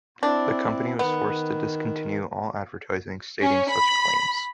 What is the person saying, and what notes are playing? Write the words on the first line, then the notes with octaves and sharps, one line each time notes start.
The company was forced to discontinue all advertising stating such claims.
C4 D4 E4
D#3 B3
C#4
B5